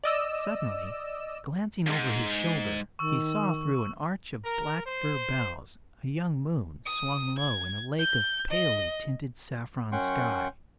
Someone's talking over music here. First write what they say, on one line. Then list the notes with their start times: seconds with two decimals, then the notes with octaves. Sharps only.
Suddenly, glancing over his shoulder, he saw through an arch of black fir boughs a young moon swung low in a lake of palely tinted saffron sky.
0.04 D5 D#5 E6
1.87 F2 G#2
2.99 D#3 C#6 E6
4.45 A#4
4.86 C5
6.86 D#6
7.38 G#6
7.99 G6
8.50 D#5
9.92 F#2 C#4 F#5 G5 C6 C#6